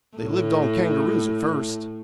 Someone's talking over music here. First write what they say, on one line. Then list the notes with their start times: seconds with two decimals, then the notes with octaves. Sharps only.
They lived on kangaroos at first.
0.17 A2